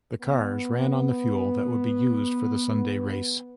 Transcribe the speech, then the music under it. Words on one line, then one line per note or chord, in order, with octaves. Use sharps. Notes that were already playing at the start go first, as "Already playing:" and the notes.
The cars ran on the fuel that would be used for the Sunday race.
B3